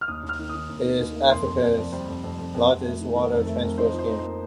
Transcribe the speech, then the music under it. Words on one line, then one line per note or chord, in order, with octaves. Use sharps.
It is Africa's largest water transfer scheme.
F6
D#2 D#6
D#2
F6
D#3
D#3 D#6
D#2
D#3
D#2
A#3
F2 C6
F2
F2 D5
F2
G3 C5
F2
F2
F2
F2
F2
A3
D#3
D#3 A#4
F2 A4
A3 A4
F2 A#4
D#4 C5
F3
C5
D#4
A#3 C5